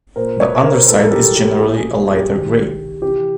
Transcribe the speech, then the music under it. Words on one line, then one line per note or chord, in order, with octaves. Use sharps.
The underside is generally a lighter gray.
A#2 A#4 C5
B4 C#5
A#4 C5
A2 E3 A4 B4
A#4
G4 A4
G4 A4
A#2 G#4
G#4
G#4
G4
C3 D#3
C3 E3 G4